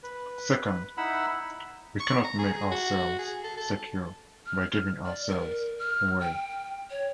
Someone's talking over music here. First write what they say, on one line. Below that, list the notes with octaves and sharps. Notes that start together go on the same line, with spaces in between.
Second, we cannot make ourselves secure by giving ourselves away.
B4
D#4 E4 F#5 B5 E6
C#6
A#5
G#4
G#4
F#4
G#4
A4
A4
F6
D5
A#4
F6
G5
C#5